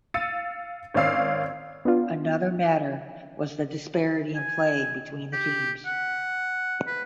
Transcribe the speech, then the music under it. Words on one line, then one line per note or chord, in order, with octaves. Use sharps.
Another matter was the disparity in play between the teams.
F5 E6 A6 C#7 D#7
G#1 C#4 D5 F5 E6 C7
B3 D4 F4
G#5
G4
F#5
B4